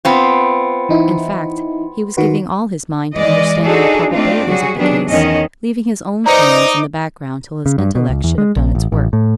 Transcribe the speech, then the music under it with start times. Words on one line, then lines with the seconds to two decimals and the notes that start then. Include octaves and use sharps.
In fact, he was giving all his mind to understanding the probabilities of the case, leaving his own feelings in the background till his intellect should have done its work.
0.05 B3 C4 F4
0.89 E3 D#4 E4
2.17 D#3 F#4 B4
3.14 E3 G#3 D5 D#5
3.65 D4 D#4 F#4 G#4 A4 D5
4.14 A3 C4 D4 D#4 F4 D5
4.47 F#3 G3 F#4 G#4
4.77 D#3 F#3 G3 B3 D4 G#4
5.07 E2 D#3 C#4 D#5
6.26 D#4 B4 C5 D5 D#5 A#5 D6 C#7
7.66 C#3
7.78 G2
7.95 B2
8.09 C#2
8.24 E2
8.38 G#3
8.56 A#1
8.75 A1
8.92 A1
9.13 A2